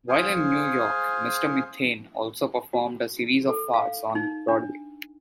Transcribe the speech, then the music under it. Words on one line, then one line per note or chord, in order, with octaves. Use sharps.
While in New York, Mr Methane also performed a series of farts on Broadway.
G#4 C5 F5 G#5
F#4
A4
F5
D#4
D4